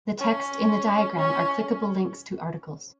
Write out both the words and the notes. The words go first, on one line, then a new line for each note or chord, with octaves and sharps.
The text in the diagram are clickable links to articles.
C#4
C#4